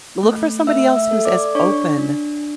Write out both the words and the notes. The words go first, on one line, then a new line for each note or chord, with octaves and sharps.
look for somebody else who's as open
A3
A3 E5 E6
E5 E6
A4
D5 D6
D4 C#5 C#6
D4